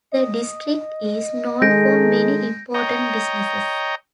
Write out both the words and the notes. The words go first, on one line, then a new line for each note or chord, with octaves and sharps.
The district is known for many important businesses.
D#5
D#3 G#3 G#4 A4 G6 A#6 D7
C#5 D#5 G5 A#5